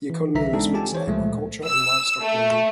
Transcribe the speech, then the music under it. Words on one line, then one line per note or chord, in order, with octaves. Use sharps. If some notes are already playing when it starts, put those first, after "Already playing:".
The economy was mixed agriculture and livestock breeding.
E3
C2 D3 E3 E5 A#5 B6
G#3 B3 C4 D4 D#4 A4
F4 G4 G#5 A5
E3 C5 C#5
C#2 A#2 F3 G#3 A3
E6
A3